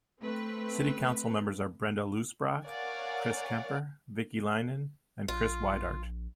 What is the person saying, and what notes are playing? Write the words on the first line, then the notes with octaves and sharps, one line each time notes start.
City council members are Brenda Loosbrock, Chris Kemper, Vickie Leinen, and Kris Weidert.
A3 C4 B4
A#4 C#5 D5 F5 F#5 G#5
A#1 F4